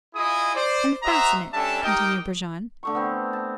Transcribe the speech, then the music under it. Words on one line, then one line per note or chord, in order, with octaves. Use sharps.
"And fasten it," continued Brujon.
E4 F4 G#4 D#5 D#6
C5 D5
F#4 C5 D#5 E5 A#5
G3 C#4 D4 A4 E5 A5
D#4 G4 A#4 D#5 G5
D3 A3 C#6
B3 C4
A5